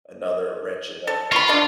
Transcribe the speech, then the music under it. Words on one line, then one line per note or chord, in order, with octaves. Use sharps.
another wrench in there.
A4
F4 B5 C#6
D4 A4